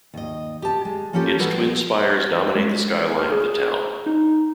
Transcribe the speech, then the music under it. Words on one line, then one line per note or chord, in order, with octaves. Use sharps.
Its twin spires dominate the skyline of the town.
D#2 D#5
G4 A5
G#3
F3 A#3 C#4 F4 G4 A4
E3 G3 A4 B4 F#5
G#3
F6
G#4
D#4